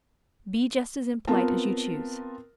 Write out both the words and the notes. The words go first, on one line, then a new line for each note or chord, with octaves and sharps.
Be just as impolite as you choose.
B3 C4 F4 A#4 A5